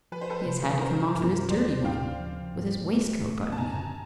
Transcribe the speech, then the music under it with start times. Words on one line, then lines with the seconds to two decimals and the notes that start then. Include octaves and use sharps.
He has had to come off in his dirty one, with his waistcoat buttoned up.
0.12 F3 B4
0.21 C5
0.30 A4 B4
0.46 C3
0.81 C#4 A#4 C5
1.15 G2
1.50 D#2 C5 D5
1.85 C#3 F5 G5
2.19 F3
2.54 G#2
2.89 A3
3.24 A2
3.52 A5
3.58 F#2 G#5 A#5